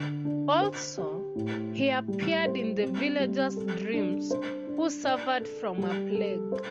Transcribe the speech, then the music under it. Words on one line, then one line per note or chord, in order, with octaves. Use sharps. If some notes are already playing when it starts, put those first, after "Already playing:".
Also, he appeared in the villagers dreams who suffered from a plague.
Already playing: D3
D4
C5
G4
A2
E4
G3
C5
C4
G3
A4
D4
C5
D4
D5
A4
G3
A4
C5